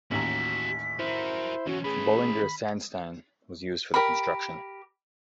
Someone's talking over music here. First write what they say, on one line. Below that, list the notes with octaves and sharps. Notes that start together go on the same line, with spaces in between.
Bollinger Sandstein was used for the construction.
A1 D#2 F#4 G4 A#5 B6
E4 F#4 A#4 C5
E3 F#3 C#4 F#4
A2 E3 G#4 B5
G4 A#4 B5